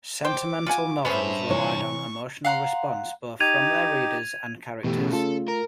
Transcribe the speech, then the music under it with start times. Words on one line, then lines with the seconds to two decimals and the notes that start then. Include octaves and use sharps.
Sentimental novels relied on emotional response, both from their readers and characters.
0.25 C5 G5 D6
0.66 F4 F#5 G#5
1.05 G2 B3 C#4 G#4 C5 E5
1.49 C3 E3 C#5 C#6
2.45 F5 F#5 A#5 C6
3.40 D#4 G4 G#6 D#7 F7
4.84 B2 E3 A3 G4
4.98 C#3
5.13 A3 F4 A4
5.48 A#4